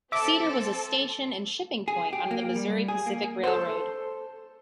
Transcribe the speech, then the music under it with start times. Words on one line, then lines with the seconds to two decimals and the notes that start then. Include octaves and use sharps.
Cedar was a station and shipping point on the Missouri Pacific Railroad.
0.12 C4 A4 E5 D6
1.88 G#4
2.13 G4
2.31 A#3
2.55 G3
2.88 G#4
3.06 A#3
3.44 A4 C5